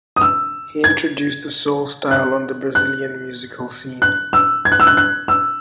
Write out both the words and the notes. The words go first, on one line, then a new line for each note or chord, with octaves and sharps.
He introduced the soul style on the Brazilian musical scene.
D#6
E6
G#6
F#6
F#6
F#6
E6
G#6
F#6
E6
F#6
F#6
E6